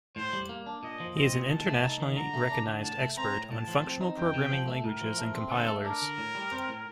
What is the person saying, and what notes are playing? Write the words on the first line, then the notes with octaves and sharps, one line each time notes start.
He is an internationally recognized expert on functional programming languages and compilers.
A2 C5
G3
A#3
D4
A#2 D#5
F3
C4 D#5
A#2
D#3 A5
A3
D#4
D#3
D3 A#5
A3
D4
D3
A2 A5
A3
C4 A#5
A2
A2 A5
F3
C4
D#4
F2 G5
C3
F3
A3
A2 A#4
F3
A3
C4
D3 A4
A3
D4 A#4
D3
A2
G3
C4
A2